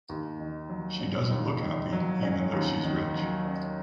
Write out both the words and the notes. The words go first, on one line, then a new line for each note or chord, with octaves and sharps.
She doesn’t look happy, even though she’s rich.
D#2
D#3
F#3
C#4
D#2
D#3
F#3
C#4
D#2
D#3
F#3
C#4